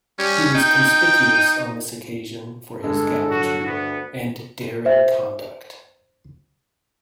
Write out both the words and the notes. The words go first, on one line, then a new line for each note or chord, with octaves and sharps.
He was conspicuous on this occasion for his gallantry, and daring conduct.
G3 C#4
D#4 G5
G2 D3 G#3 A4
F#3 F#4
D2 B3
C5 E5